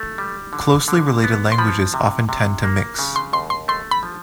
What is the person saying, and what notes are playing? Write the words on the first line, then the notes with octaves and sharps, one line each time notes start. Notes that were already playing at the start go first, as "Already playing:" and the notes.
Closely related languages often tend to mix.
Already playing: A3
G3
D3
D3
B3
C6
F3 B5
C3
C3
A#3
C#3
C6
D#2 C6
C6
A3 C6
B5
F3